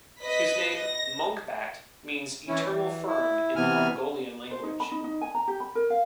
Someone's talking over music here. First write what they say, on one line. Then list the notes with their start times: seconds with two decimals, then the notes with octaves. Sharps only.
His name Monkhbat means "Eternal firm" in the Mongolian language.
0.21 B4 D#5 B6
0.81 A#6
2.48 E3 C#4 E4
2.67 E3
3.08 E4
3.56 C3 E3 B3 G#5 F6
4.51 C5
4.63 D#4
4.80 B5
4.92 D#4
5.04 D#4
5.21 G#5
5.35 A#5
5.48 G4
5.60 B5
5.75 A#4
5.90 F5